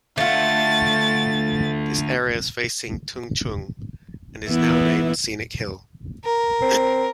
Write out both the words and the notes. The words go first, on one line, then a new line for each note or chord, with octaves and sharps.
This area is facing Tung Chung and is now named "Scenic Hill".
D2 A3 F4 F#5 A6
E3 B3 E4
A#4
C4